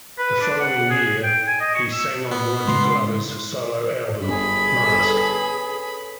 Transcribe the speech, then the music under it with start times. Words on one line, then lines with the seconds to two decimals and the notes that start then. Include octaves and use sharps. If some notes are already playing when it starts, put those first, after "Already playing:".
The following year, he sang on Roger Glover's solo album, "Mask".
0.18 B4
0.41 D4
0.59 F#5
0.90 G#4
1.23 G5
1.47 G#5
1.60 D#5
1.75 C#6
1.92 E6
2.31 B3
2.67 C#3 G#3 A3 C6
4.27 G1 G#4 B5
4.88 C#4 A4 B4